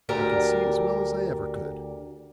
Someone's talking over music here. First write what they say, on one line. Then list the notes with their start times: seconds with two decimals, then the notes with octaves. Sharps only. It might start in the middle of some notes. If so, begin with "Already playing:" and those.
I can see as well as I ever could.'
0.09 D2 G4 A#4 D5